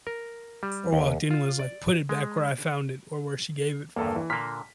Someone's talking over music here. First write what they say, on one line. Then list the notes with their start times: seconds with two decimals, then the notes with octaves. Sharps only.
or walked in was, like, put it back where I found it or where she gave it from.
0.07 A#4
0.63 G3
0.93 D#2
1.31 F4
1.59 D5
2.09 G#3
3.96 E2 G2 A#3 A4
4.16 E3
4.30 A#2 D3 A#3 F6 B6